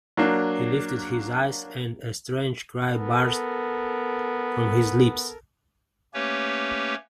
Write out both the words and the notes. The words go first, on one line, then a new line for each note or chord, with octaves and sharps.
He lifted his eyes, and a strange cry burst from his lips.
F#3 A#3 D4
B3 A4 A#4
A3 A#3 C#4 G4 B4 C#5